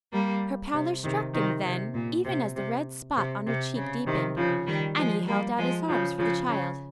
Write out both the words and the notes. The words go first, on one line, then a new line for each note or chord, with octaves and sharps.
Her pallor struck him then, even as the red spot on her cheek deepened, and he held out his arms for the child.
G3 A#3
C3
C3 D#3
C3 D#3
C3
A#2
C3
C3
C3
C3
C#3
C3 D#3
C#3 F3
D#3 G3
F3 G#3
G3 A#3
F3 G#3
C#3 F3
C#3 F3
C#3